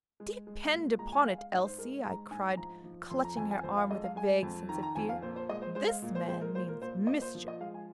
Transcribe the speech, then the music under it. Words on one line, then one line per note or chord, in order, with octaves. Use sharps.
'Depend upon it, Elsie,' I cried, clutching her arm with a vague sense of fear, 'this man means mischief.
G#3
G#3
A#2
G#3 A#5
G#5
G#3 F5
F5
G#2 D#5
C5
G#3 A#4
G#3 A#5
G#2 G#5
F3 A#5
F3
F2 C6
A#5
F2 G#5
G#5
F2 C5
F5
G#3 D#5
F5
G#3 G#5
F2
D#3 A#5
A#5
F2 G#5
F5
A#2 C5
C5
G#3 D#5
C5
G#3 C5
F5
A#2
C5
G#3 C5
A#4
A#2 C5
A#4
A#2 C5
A#2 D#5
C5
F3
D#5
G#3 F5
G#5